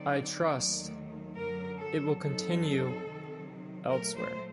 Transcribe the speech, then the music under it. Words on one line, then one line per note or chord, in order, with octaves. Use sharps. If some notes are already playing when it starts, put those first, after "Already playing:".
I trust it will continue elsewhere.
Already playing: D3 F#3 C4 D#4 D5
D#2 D#3 F#3 A3
F#2 D3 F#3 A#4
A4
F#2 F#3 C4 D#4 A4
C3 D#3 F#3
A#2 F#3 A3 A#4
C5